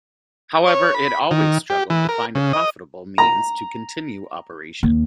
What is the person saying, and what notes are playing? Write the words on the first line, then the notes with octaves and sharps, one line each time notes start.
However it always struggled to find a profitable means to continue operation.
C#5
B5
D#3
G4
E3
A#4
C#3
D#5
A#5
D#2